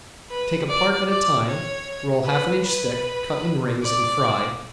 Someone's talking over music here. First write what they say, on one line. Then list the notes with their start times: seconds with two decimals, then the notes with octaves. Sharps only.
Take a part at a time, roll half an inch thick, cut in rings and fry.
0.30 B4
0.69 D5
1.09 D5
1.47 C#5
2.26 B4
2.65 B4
3.82 D5